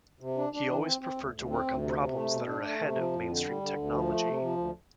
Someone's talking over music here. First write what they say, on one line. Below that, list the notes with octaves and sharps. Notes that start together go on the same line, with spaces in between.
He always preferred to work on problems that are ahead of mainstream technology.
C3
D4
D4
E3
C4
C4
D2
D2
C4
D2
C3
C3
A3
B2
D4
A3
C3
F3
F2
D3
G3
D3
D2
F3
A3
C3
F3
D2